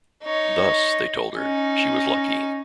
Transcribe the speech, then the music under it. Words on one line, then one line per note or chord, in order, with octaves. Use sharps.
Thus, they told her, she was lucky.
D#4 C#5
C#4 D#4